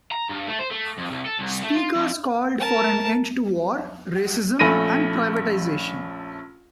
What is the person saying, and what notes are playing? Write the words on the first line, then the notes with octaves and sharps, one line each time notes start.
Speakers called for an end to war, racism and privatisation.
A#5
G2
A3
C5
A3
F2
C2
A4
C2
A3
F4
F2
A#4 A5
A#1 A3 C#4 B5 A#6 D#7